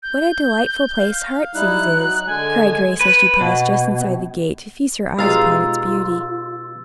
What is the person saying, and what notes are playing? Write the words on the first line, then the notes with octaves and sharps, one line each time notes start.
"What a delightful place 'Heartsease' is," cried Grace as she paused just inside the gate to feast her eyes upon its beauty.
G6
F5
G3 D#4 E4 F#6
F#3 D#4
D3 G#3 G#5
B4
B2
B2 G#3 D#4 F4 G4 F5 E6 A6